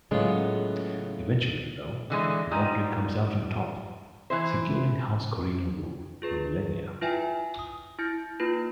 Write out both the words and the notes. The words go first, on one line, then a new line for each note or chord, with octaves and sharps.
Eventually, though, Roderick comes out on top, securing House Corrino rule for millennia.
A2 C#3 F#3 G#3 B3 F4
D3 E3 G#3
G3 G#3 D#4 F4
E3 E4 C5
F4 G#4 B4
E4 F4 B4 E5 G5 G#5
D#6
E4 G6 A6 C#7
A#3 D#4 F4 B4